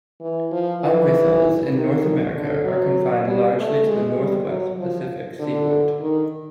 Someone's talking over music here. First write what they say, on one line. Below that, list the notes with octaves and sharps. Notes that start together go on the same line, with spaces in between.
Umbrisols in North America are confined largely to the northwest Pacific seaboard.
E3
F3
E3
D#3
D3
F#3
G3
A3
G#3
G3
F#3
F3
D3
D#3